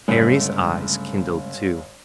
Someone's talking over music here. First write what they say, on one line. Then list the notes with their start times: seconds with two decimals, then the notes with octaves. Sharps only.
Harry's eyes kindled, too.
0.08 G1 C#3 G#3 A3 B6